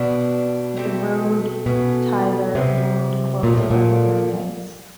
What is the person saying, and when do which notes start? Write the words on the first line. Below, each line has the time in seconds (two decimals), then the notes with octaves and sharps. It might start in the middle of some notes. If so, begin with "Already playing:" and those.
The road thither wound close by Wuthering Heights.
Already playing: B2 E3 G3 B3 D4
0.77 A3 C4 E4 G4
1.66 B2 A3 C#4 E4
2.55 C3 F3 G#3 B3
3.43 A#2 F3 A3 D4
3.57 A2
3.71 A#2